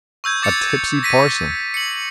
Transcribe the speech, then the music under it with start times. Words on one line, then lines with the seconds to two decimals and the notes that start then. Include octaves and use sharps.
"A tipsy parson."
0.24 C#6 E6 G6 G#6
0.42 D6 A6 C#7 F7
1.03 A#6 B6 D#7
1.74 C#7 F#7